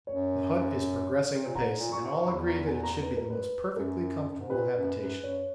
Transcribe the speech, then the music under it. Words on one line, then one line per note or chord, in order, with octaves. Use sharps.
The hut is progressing apace, and all agree that it should be the most perfectly comfortable habitation.
F#2 C#5
A#2
G#2 A#5
A#2
A#2 C#6
G#2
A#5
E2 B5
A#5
G#5
A#5
B4
A#4
B4
F#2 A#4
F#2
G#2
A#2 B4
F#2
F#2
F#2 C#5